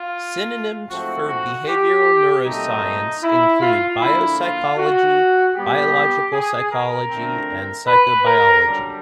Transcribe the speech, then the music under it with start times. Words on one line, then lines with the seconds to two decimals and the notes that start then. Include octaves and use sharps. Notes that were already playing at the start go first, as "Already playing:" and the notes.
Synonyms for behavioral neuroscience include biopsychology, biological psychology, and psychobiology.
Already playing: F4
0.90 G#2 F3 A3 C4 F#4
1.29 F#4
1.68 G4
2.45 A#2 F#3 A3 C4 D#4
3.23 E4
3.61 F4
3.99 D3 F3 A#3 E4
4.39 F4
4.77 F#4
5.55 A#2 G3 B3 G4
6.32 G#4
6.71 A#4
7.10 D3 F3 A3 C4
7.87 B4
8.26 A#4
8.65 F#2 D3 G3